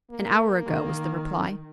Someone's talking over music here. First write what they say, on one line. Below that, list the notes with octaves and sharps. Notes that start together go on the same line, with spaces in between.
"An hour ago," was the reply.
A#3
D#3